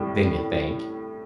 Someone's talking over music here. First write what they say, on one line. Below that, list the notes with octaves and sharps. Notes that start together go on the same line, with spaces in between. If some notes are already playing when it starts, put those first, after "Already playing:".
than you think,
Already playing: A2 G3